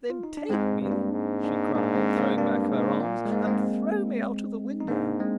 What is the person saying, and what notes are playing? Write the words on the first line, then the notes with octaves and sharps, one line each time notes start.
"Then take me," she cried, throwing back her arms, "and throw me out of the window."
F4
D#4
D4
G#2 G#3 C4
G2
A#3 D4
G#2
A#3 D4
D#4
G#2 A#3 D4
G#3 C4
A#3
G2 A#3 D4
G#2
A#2 A#3
G#3
G#2 A#3
G#3 C4
D#4
G#2 A#3 D4
G#3 C4